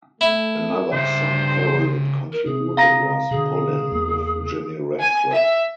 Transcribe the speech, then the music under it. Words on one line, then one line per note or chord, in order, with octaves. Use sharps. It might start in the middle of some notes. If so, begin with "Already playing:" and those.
Another song Carolyn contributed was "Pullin'" with Jimmy Radcliffe.
A3 E4
G2 C#3 C5 E5
A#4
C3 G#4
F5 A#5 A#6
B2 D3 G#4
E2 A#3
G#5
E5